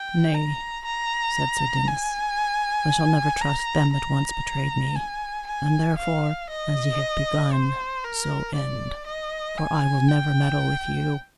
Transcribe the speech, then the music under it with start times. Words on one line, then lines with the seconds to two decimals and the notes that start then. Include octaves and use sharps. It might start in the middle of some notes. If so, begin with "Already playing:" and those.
Nay, said sir Dinas, I shall never trust them that once betrayed me, and therefore, as ye have begun, so end, for I will never meddle with you.
Already playing: G5
0.34 A#5
0.85 A#5
1.88 G#5
3.41 A#5
3.93 A#5
4.95 G#5
5.47 G#5
5.98 F5
6.50 D#5
7.53 C5
8.04 A#4
8.55 D5
9.07 D#5
9.58 G#5
10.09 G5